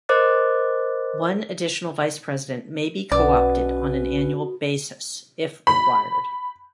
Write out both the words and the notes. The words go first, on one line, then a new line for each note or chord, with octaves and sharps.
One additional Vice-President may be co-opted on an annual basis if required.
A#4 C5 D#5 D6 F#6 A6
B1 B2 B3 C#4 B4 D5
B5